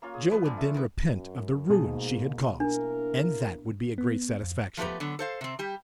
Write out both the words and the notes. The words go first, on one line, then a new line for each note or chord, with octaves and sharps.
Joe would then repent of the ruin she had caused, and that would be a great satisfaction.
A#3 C#4 F4
G#4
F3 B4
D3 G#3 C4 D4
A3 C#6
D#3 E3 B3
F#2
G#2 B2 A#3 G#4 A5
A#3 D4 E4 A#4
B3
F2
F3 A3 B3 G4 B4 A#5
D3 F#3 B3
A4 C5 F5
C3 C4
G3 G4